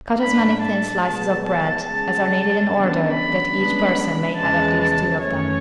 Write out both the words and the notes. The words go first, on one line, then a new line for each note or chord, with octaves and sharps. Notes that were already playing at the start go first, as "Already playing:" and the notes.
Cut as many thin slices of bread as are needed in order that each person may have at least two of them.
A2 F#3 A3 D4 B5
A5
B2 G#3 B3 A5
A5
C#3 G#3 C#4 A5
C#3 E3 B3 D4
B5
C#3 G#3 B3 D4
E2 C#3 E3 G#3 A5
A5
F#2 E3 A3 C#4 C#5